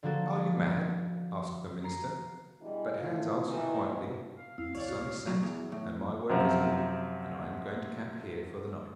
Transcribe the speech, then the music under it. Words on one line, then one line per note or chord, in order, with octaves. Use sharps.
Are you mad?' asked the minister, but Hans answered quietly, 'The sun is set and my work is over, and I am going to camp here for the night.'
D3 F3 A#3 F#4 A4
A#5 C7
B2 E3 G3 G#3 D4 D#5
A2 E4 F4
D#3 E3
B2 C4 F4
F5
E2 C4 E4 F5
C#2 C#5 D5 C#6
D#1 F#4
F#3
E2
A2
F#2 C3 F3 A#5